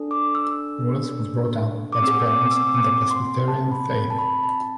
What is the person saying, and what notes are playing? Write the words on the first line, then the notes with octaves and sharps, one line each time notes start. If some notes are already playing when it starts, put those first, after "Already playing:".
Wallace was brought up by his parents in the Presbyterian faith.
Already playing: D4 A4
D6
E6
D6
C4 G#4 E6
D6
D6
E6
D6
C6
A5
B5
A5
B5
A5